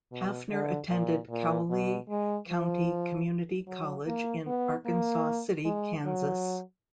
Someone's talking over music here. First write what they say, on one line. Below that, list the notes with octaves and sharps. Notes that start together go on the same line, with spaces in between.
Hafner attended Cowley County Community College in Arkansas City, Kansas.
B2
D3
A#2
A#2
B2
G#3
F3
F#3
A#3
B3
A#3
G#3
F#3